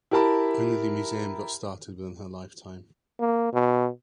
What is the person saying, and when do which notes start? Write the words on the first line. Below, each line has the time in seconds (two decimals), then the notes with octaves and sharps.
Only the museum got started within her lifetime.
0.11 E4 G4 A#4 A5 B5
3.20 A#3
3.53 B2